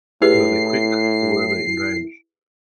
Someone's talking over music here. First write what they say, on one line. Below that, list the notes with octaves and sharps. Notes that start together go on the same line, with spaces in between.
Were they quick or were they enraged?
A2 E4 G4 G#4 B4 C7